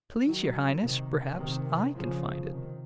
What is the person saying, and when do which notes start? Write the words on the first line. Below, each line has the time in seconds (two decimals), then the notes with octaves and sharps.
"Please, Your Highness, perhaps I can find it."
0.24 D#3 F#3
0.80 C3 D#3
1.36 C3 D#3
1.94 C#3 F3
2.49 C3 D#3